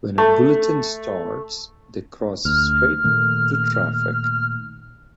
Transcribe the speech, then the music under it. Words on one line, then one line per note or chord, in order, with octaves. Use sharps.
When a bulletin starts they cross straight to traffic.
A3
D2 F6
A#2 D#3 A3